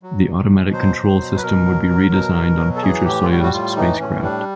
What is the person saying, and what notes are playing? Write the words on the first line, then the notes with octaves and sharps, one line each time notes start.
The automatic control system would be redesigned on future Soyuz spacecraft.
F#3
B2
B2
F#3 C5
F#3
B2
B4
B2 A#4
F#3
F#3
B2
B2
F#3
A4
E3 G#4
A2 G4
F4
G3 F#4
F#4
A2 F4
E3 D#4
A2 C#4
G3 D4